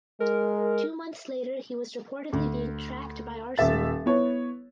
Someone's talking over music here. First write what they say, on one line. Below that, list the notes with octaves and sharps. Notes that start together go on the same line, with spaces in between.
Two months later he was reportedly being tracked by Arsenal.
G#3 A#4
D2
D#1 E5 A6
B3 E4 C#5